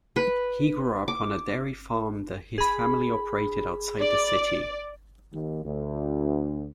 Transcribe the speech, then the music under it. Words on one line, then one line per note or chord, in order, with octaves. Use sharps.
He grew up on a dairy farm that his family operated outside the city.
B4
D6
G#4 B5
D5
D#2
D2